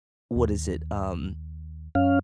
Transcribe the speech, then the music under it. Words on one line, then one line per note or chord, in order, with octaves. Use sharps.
What is it? Um,
D#2
F#2 C#4 F5